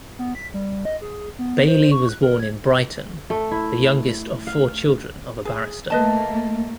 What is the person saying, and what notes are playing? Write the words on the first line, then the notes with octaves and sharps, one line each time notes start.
Bayly was born in Brighton, the youngest of four children of a barrister.
B3
B6
G3
D#5
G#4
B3
C5
C#6
F#6
A#4
G#6
A3
E4
F5
G#4
A3 A#3 B4 D#5 A5